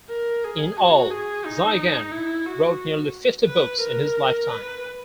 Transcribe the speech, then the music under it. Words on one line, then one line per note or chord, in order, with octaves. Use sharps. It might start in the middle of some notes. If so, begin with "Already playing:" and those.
In all, Jizang wrote nearly fifty books in his lifetime.
A#4
G#4
F#4
G#4
D#4
E4
F#4
B4
A#4
B4